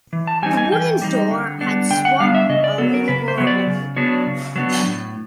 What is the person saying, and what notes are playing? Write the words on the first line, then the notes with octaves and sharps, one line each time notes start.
The wooden door had swung a little more open.
E3
A5
G3 C4 D#4 G#5
G#5
E3 G5
G3 C4 D#4
D3
G3 B3 D4
D3 G5
F#5
G3 B3 D4 F5
E5
C#3 D#5
D5
F#3 B3 A4
A#4
C#3 B4
C5
F#3 B3
D5
C#3
F#3 B3 D4 C#5
C#3
F#3 B3 D4
A2